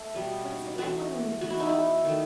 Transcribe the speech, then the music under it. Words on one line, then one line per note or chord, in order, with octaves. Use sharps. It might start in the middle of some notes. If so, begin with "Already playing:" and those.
"But is it like what one reads of?"
Already playing: A3 A4
B2 G3 B3
E3 A3 F#4
E3 B3 F#4
E4
D#4
E4
D#3 A3